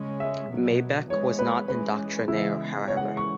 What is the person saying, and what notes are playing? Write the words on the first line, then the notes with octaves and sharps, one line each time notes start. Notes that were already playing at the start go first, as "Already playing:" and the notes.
Maybeck was not doctrinaire however.
Already playing: C#3 G#3 C#4
E5
B2 F#3 B3
E3 G#3 B3 C#5
B4
E3 G#3 C#4 B4
C#3 E3 G#3 B3 E4
C#3 E3 G#3 C#5
F#5
C#6